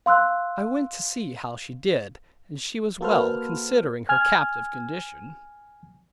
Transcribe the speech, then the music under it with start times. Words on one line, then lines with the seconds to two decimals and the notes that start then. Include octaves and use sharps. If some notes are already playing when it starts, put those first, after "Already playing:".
I went to see how she did, and she was well, considering her captive condition.
0.06 F5 C6 E6 F#6
3.01 A#3 F#4 A4 B4 C5 F6
4.09 G#5 F6 G#6